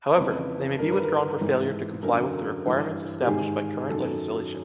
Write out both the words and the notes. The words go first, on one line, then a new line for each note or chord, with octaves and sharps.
However, they may be withdrawn for failure to comply with the requirements established by current legislation.
F2 C#3 E3 B4
G2 D#3 A#4
B4
A#4
G#2 E3
F#2 D3 A#4
G2 E3
G4
G#2 D#3 G#4
F#2 D#3 A4